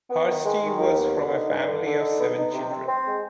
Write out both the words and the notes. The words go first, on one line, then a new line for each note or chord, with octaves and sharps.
Hursti was from a family of seven children.
B3
D#3
G#3
D#3
D#2
B3
D3
D#4
G2
D3
D3
D#4
B3
D#4
C3
C4
C4
G#3